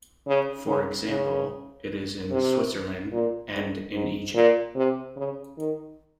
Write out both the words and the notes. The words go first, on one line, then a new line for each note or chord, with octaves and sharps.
For example, it is in Switzerland, and in Egypt.
C#3
C#3
C#3
C3
A#2
G#2
G#2
A#2
C3
C#3
D#3